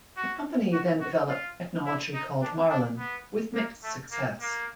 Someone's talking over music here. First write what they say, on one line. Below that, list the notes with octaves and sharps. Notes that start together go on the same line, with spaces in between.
The company then developed technology called Marlin, with mixed success.
F#4
F#4
F#4
F4
E4
D#4
D4
D4
B3
A#3
A3
A#3
A#3